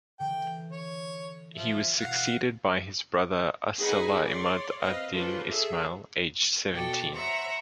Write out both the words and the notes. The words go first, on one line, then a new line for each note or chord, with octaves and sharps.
He was succeeded by his brother As-Sâlih `Imâd ad-Dîn Ismâ`îl aged seventeen.
D3 E3 G5
C#5
F3 E5
B2 E4 F5 F#5
D#4 G#4 B4 F#5 G#5 B5
C#5 D5 C6
C4 B4 D#5 F5
C#4 D4 F4 A4 B4 C5
G#4 A4 E5
B2 F#4 A4 D5 G5
C5 C#5 E5 F#5 A#5 B5